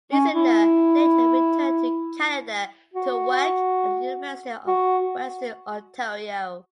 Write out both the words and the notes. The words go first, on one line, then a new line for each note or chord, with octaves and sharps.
Misener later returned to Canada to work at the University of Western Ontario.
C#4
E4
F#4
F#4